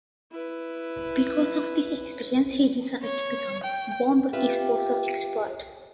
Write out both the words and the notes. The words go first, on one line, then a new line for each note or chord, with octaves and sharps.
Because of this experience he decided to become a bomb disposal expert.
E4 B4
C#5
G5
F4 G4 B4 E5